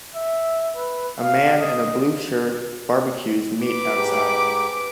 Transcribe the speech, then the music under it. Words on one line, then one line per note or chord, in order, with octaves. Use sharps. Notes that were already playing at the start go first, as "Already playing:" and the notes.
A man in a blue shirt barbecues meat outside.
E5
B4
F5
D#5
B4 D6
G#2 G4